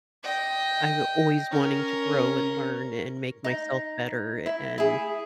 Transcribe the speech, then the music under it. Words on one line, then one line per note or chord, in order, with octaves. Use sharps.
I'm always wanting to grow and learn and make myself better, a and
D#5 G5
C#4 A#4
D#4
E4
E4 G#4